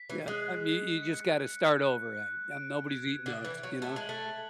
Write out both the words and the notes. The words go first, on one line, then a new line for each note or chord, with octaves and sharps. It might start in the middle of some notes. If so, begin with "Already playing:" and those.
yeah. I mean, you just gotta start over again, um, nobody's eating those, you know,
Already playing: B6
E3
G#3 F#6
F#6
C#7
F#6
F#6
F#6
D7
G#6
D3 G#6
E3
F#3 G#6
A3
G#3 F#7
A3